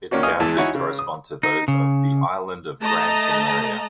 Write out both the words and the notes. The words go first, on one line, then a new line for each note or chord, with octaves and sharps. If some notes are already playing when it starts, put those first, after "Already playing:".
Its boundaries correspond to those of the island of Gran Canaria.
D#3 A#3 C#4 D4 F#4
D#5 F5 G#5 C#6 D#6 F6
E2 E3 G#3 A5
D#4 E4 F#4 C#5 F#5 G#5
C#3
D#6
D#4
C#3
A3 D#5 A5 A#5